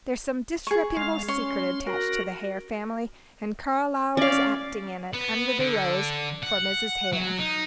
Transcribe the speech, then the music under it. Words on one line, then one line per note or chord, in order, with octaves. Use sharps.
There's some disreputable secret attaching to the Hare family, and Carlyle was acting in it, under the rose, for Mrs. Hare.
G#4 C#6
G#3 F5
C#4 C#5 C6
F#4 A#4
C#4 D5 F5
B3
D3
F#5
F#3
D#4